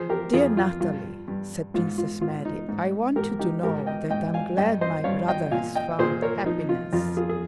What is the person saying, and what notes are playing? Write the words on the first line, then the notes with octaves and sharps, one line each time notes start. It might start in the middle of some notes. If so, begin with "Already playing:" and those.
"Dear Natalie," said Princess Mary, "I want you to know that I am glad my brother has found happiness...."
Already playing: F3 G#4 C5
G4 A#4
F2 F4 G#4
F4
G2 F4
G2
G#2 F4
F4
G#2 F4
D#4
G#2 D#4
G#2 G4 A#4
D#4 G4
G#2 G4 A#4
D#5 G5
G#2 D#5 G5
F5 G#5
G2 D#5 G5
C5 D#5
G2 C#5 F5
D#5 G5
A#2 F5 G#5
D#5 G5
A#2 G#4 C5
A#4 C#5
F3 D#4
F4
F2 F4
F4 G#4
G#4